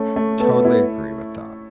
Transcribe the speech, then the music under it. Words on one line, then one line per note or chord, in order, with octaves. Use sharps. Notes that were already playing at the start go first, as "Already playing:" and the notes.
Totally agree with that.
Already playing: A3 C#4
A3
B3 A4
E4